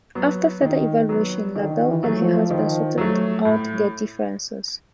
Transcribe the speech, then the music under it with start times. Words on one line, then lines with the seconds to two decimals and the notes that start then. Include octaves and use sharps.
After further evaluation, LaBelle and her husband sorted out their differences.
0.15 F#3 B3
0.62 D#3
1.09 F#3 B3
1.56 D3 D#3
1.88 E3
2.03 F#3 A3
2.18 F3
2.50 D#3
2.98 F#3 A3
3.45 A2